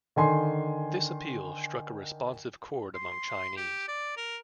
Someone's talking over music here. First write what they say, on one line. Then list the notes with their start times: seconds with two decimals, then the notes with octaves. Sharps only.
This appeal struck a responsive chord among Chinese.
0.16 D3 D#3 G#5 C6 C7
2.95 C6
3.57 G4
3.88 D5
4.17 A#4